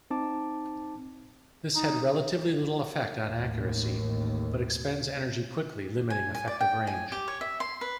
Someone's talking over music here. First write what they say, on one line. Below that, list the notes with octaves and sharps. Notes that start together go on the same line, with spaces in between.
This had relatively little effect on accuracy, but expends energy quickly, limiting effective range.
C4 D#4 A5 D6
D#4
A1 D#2 A2
G#5
G#5
D5
G5
G#5
G4
C#5
E5
C6
B4